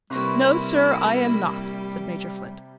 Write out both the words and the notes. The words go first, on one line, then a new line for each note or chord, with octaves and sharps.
"No, sir, I am not," said Major Flint.
C3 G3 A#3 E4 B4 C6 C#6